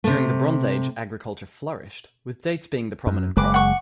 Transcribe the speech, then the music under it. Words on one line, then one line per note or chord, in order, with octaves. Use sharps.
During the Bronze Age, agriculture flourished, with dates being the prominent crop.
C3 A3
F#2
F#1 G#3 B4 D6
F#5 C#6